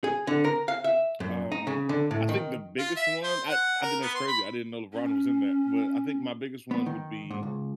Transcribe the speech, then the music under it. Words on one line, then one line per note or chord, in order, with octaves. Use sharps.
Um, I think the biggest one I I think that's crazy, I didn't know LeBron was in that, but I think my biggest one would be
G#4
D3
A#4
F5
E5
F#2
D#4
C#3
D3
A2
D#3
F4
E5
C5
F#5
A#4
B3
C6
B5
C#4
B3
D#3
G#2
C#2